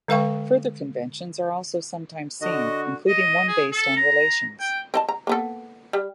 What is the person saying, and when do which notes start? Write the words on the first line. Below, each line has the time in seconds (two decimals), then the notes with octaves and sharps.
Further conventions are also sometimes seen, including one based on relations.
0.08 D3 G#3 B4 F5 G5 C#6
2.42 D3 F#4 D#5
3.08 D#5
3.48 G#4
3.72 A4
3.97 A#5
4.61 G5
4.94 C4 D#5 A5
5.09 A#5
5.27 A#3 B3 A4
5.93 G3